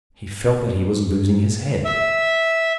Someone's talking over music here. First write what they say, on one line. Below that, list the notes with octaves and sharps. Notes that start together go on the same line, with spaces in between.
He felt that he was losing his head.
E5